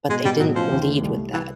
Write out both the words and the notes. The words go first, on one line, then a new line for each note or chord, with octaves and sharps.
but they didn't lead with that.
B2 G#3
B2 G3
A2 F#3
F3 C#4
D#2
A3
C2
C2
E3